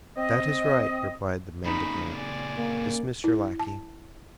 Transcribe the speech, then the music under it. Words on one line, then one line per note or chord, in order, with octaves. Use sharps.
"That is right," replied the mendicant; "dismiss your lackey."
C4 D#5
A#2 C#3 D#4 B5
D5 G#5
A#3
E4
A5